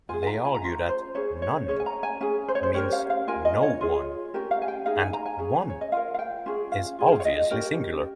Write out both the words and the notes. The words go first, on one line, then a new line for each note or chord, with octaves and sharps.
They argue that "none" means "no one", and "one" is obviously singular.
F4 G#4 G#5
G#5
A#5
G#5
A#5
C#4 F4
C5
C#4 G#4 C#5
C#5
C#4 G#4 C#5
G#5
A#5
G#5
C#4 G#4 G#5
C5
C#5
C5
C#4 G4 A#4 C#5
F5
F5
F4 A#4 G#5
D#5
C#5
F4 G#4
C#4 G4 A#4
F5
G#5
G5
D#4 G#4 F5
G#5
A#5
G#5
C#4 G#4
C#5
D#5
F4 A#4 F5
F5
G5
C#4 F4 G#4
F5
F4 G#4
G5
F5
C#5
D#5
C#4 G4 A#4